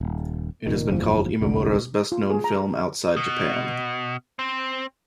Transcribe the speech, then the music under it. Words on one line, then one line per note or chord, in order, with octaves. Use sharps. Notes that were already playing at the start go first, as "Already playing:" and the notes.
It has been called Imamura's best-known film outside Japan.
D#1
F1 A#2 D#3
F#1 E2 G#2 F3
G1 C2 F2 D3
F4
G#4
A#5
B2
C4